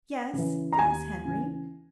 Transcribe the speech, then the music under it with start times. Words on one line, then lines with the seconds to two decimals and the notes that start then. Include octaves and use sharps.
"Yes--yes, Henry?"
0.33 C#3 E3
0.73 A#5
0.79 D#2 G#5
1.25 C#3 E3